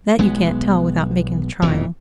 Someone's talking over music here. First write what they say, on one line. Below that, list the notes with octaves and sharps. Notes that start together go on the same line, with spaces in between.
"That you can't tell without making the trial."
B1 G#3 B3
E1 F2 A#2 E3